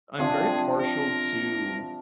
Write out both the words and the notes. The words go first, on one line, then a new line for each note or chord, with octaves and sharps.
I'm very partial to
C3 F3 D4 G#4
A#4